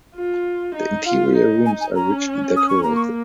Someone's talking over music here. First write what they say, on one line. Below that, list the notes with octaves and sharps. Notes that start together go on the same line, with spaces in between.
The interior rooms are richly decorated.
F4
D#4
F4 F5
D#4
G#5
G#5
C#4 A#5
D#6
C#6
A#3 A#5
C#6